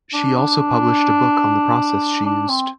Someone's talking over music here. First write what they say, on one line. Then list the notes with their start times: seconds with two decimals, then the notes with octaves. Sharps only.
She also published a book on the process she used.
0.13 D4
0.37 D4
2.26 D4
2.49 C4